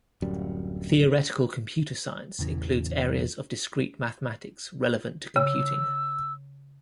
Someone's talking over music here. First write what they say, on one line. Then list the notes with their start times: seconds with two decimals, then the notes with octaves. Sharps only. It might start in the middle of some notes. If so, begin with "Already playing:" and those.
Theoretical computer science includes areas of discrete mathematics relevant to computing.
0.22 D1 F#2 G3
2.39 A1 E2 C#3 E3
5.36 C#3 E6